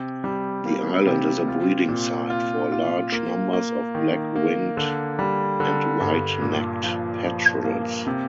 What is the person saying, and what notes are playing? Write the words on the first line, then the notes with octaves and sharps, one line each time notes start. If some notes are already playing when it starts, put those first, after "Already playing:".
The island is a breeding site for large numbers of black-winged and white-necked petrels.
Already playing: C3
G3
A#3
C3
F4
A#2
F4
F4
A#3
A#3
D#3
A#3
D3
G3
D3
G2
A#2
F3
F3
A#3
C3